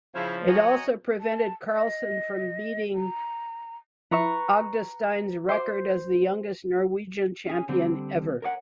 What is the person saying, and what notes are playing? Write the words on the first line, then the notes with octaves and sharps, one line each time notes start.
It also prevented Carlsen from beating Agdestein's record as the youngest Norwegian champion ever.
C#3 F3 E4 C5 C#5 F5
F#4 C#5 D#5 G#5 A#5
A5
D#5
A#5
F3 E4 B4 E5 A#5 C#6
F#4 C5 E5 D6
C#4 G#4
D3 G3 C4
A#4 C#5 D5 F#5